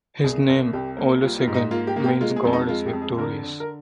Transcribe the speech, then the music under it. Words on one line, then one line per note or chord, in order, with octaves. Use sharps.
His name, Olusegun, means "God is victorious".
C2 G#4
C2
C2 G4
A#3
G3 F4
F4
G#2
D#4
A#3 F4
G4
A#3
G4
G#3 F4
G#4
F2
D#4
G#3 F4
G4
F2
G#4
D3 A#4
D3
A#4